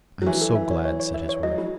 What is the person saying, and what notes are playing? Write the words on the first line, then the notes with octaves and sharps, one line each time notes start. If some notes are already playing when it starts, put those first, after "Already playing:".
"I am so glad," said his wife.
F#3
E3 F#4
A4
E5
C#5
C#5
C#5
E5
C#5
F#3 D#5
F#3 E4